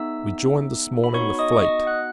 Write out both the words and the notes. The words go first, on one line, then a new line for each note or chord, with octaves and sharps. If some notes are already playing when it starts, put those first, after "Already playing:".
We joined, this morning, the fleet.
Already playing: B3 D#4 G#4 E5 E6
B5
B3 D#4 F#4 C#5 C#6
D#5 D#6
C#6
D#5 D#6
F#5 F#6